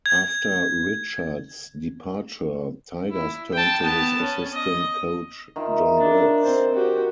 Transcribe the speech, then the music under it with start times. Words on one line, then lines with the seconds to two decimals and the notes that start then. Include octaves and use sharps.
After Richards' departure Tigers turned to his assistant coach John Wells.
0.06 G#6
3.11 E4
3.53 G5 A5
3.83 B3 A5
4.22 C#4
4.53 D#5
5.56 D#3 E4 F4
5.97 D4
6.43 C4 C5
6.74 F#4 G4